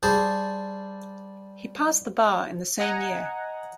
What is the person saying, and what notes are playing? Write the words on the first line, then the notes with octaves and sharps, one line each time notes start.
He passed the Bar in the same year.
G3 G#4 C5 A5
D#5 F#5 G#5 A#5